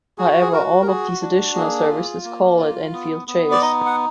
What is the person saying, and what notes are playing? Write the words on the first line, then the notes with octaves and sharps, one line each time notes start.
However, all of these additional services call at Enfield Chase.
F#4 G#4
G#4
F#4 A#4
A#4
F#4 G#4
D4
A#3 G#4
F4
A#3
F4
B3
B3
D5
D#4 D#5
F#5